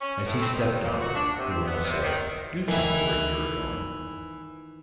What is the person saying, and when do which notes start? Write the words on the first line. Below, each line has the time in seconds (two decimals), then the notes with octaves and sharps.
As he stepped on it the whale said, 'Do tell me where you are going.'
0.02 C#4
0.26 A2
0.41 C4
0.54 D#3
0.84 A#2
1.01 F#4
1.14 D4
1.39 C3
1.51 C4
1.65 B3
1.84 C3
2.04 D#3
2.68 D#3 E3 E4